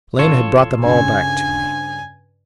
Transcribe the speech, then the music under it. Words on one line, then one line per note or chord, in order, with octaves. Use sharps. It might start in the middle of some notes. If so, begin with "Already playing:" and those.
Lena had brought them all back to me.
A1 F4 A4 C#5
G2 C#3 G#5